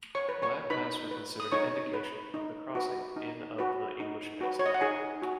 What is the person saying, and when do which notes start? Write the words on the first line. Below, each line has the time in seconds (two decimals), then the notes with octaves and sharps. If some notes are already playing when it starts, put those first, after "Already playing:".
Black masks were considered an indication of the crossing in of the English Mastiff.
0.15 C#5 C#6
0.29 B4
0.42 C#5 C#6
0.70 D#4 B4 B5
1.11 B4
1.40 D#6
1.52 D#4 C#5 C#6
1.94 B4
2.34 D#4
2.75 F#4 B4
3.16 D#4
3.58 F#4 B4
4.00 D#4
4.41 F#4 B4
4.59 C#5
4.66 D#5
4.74 F#5
4.81 D#4 G#4 G#5
5.22 F#4